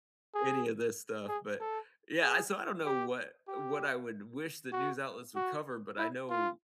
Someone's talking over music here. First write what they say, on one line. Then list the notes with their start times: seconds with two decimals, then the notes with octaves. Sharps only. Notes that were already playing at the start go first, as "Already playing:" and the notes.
any of this stuff, but yeah, I so I don't know what what I would wish that news outlets would cover, but I know
0.34 G#4
1.28 G#4
1.60 A4
2.22 G#4
2.85 G4
3.48 G4
4.72 F#4
5.36 F#4
5.98 E4
6.30 F4